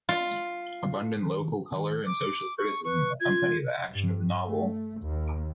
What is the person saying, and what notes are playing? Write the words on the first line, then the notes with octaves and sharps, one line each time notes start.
Abundant local color and social criticism accompany the action of the novel.
F4
D6
C#6
B4 C#6
F4 G#6
G2
A3
D#2